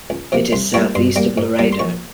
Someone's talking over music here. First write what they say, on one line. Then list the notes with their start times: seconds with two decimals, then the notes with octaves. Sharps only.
It is southeast of Laredo.
0.10 C#2
0.32 C3 F3 A#3
0.52 C2 C6
0.74 A#2 G3 A#3 C#6
0.95 G2 C6
1.16 G3 A#3 A#5
1.38 G#2
1.59 G3 A#3
1.72 C6
1.79 A#1 C#6